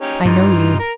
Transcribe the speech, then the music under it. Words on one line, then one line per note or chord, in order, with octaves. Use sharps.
I know you.
C#4 D#4 G4
G2 E3 D#4 F4
A#4 A#5